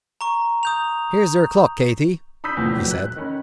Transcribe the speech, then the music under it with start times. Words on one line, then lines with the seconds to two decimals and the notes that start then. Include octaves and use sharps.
"Here's your clock, Katy," he said.
0.21 A#5 C#6
0.63 D#6 G6 F7
2.44 B5 D#6 E6 G6 B6
2.57 E2 A2 C3 F3
2.78 F#3
2.91 F#6
3.16 D#3 C#4 B5